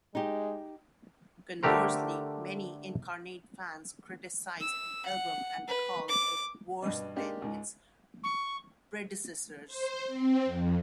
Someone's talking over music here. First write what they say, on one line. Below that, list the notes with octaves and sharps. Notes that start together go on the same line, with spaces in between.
Conversely, many incarnate fans criticized the album and called it worse than its predecessors.
G#3 D#4 G4
D3 A3 G4 A#4 C5
E6
F#5
B4
D6
G2 B2
G#3 A#3 D4 G4
C#2 G#2
C#6
C5
C4
F2